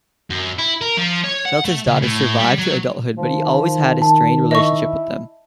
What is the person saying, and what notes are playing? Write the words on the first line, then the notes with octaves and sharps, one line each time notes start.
Milton's daughters survived to adulthood, but he always had a strained relationship with them.
F#2
E4
A#4
F3
C#5
F#5
A3
C#3
A2
G3
F#3
D#3 F3
A5
E4 D#5 C#6